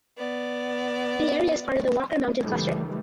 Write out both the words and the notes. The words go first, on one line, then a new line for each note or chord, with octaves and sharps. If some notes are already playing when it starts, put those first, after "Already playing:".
The area is part of the Walker Mountain Cluster.
B3 D5
C#2 D#3 E3 G3 A3